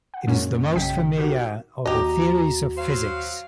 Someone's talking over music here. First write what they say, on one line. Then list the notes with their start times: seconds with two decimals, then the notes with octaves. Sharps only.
It is the most familiar of the theories of physics.
0.14 F#5
0.27 F#2 A#2 F#3 G#3 A#3 C#4
0.75 A#1 C#3 F#3 D#5 G5 B6
1.17 D#4 F#4 G4 A#4
1.86 D#2 F#4 G4 D#5 A#5
2.77 F#3 C5 F5